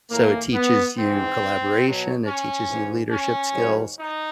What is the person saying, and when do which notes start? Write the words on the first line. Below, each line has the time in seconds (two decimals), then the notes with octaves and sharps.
So, it teaches you collaboration, it teaches you leadership skills.
0.10 A2 E3 A#3
0.53 B3
0.97 G#2 E3 C4
1.82 B2 F#3
2.25 C#4
2.68 G#2 E3
3.11 C#4
3.53 G#2 D#3 F#3
3.97 D#4